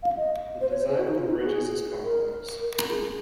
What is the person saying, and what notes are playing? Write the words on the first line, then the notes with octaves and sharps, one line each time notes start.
The design of the bridges is complex.
F5
D#5
C5
C#5
C5
G#4
F#4
D#4
F4
D#4
F#4
G#4
A#4
A#4
A#4
G#4